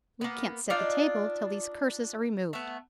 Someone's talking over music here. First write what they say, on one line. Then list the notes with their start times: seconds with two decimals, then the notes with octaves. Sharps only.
We can't set the table till these curses are removed.
0.21 A#3 B3
0.70 D4 D#4 F4 D5
2.53 A3 B3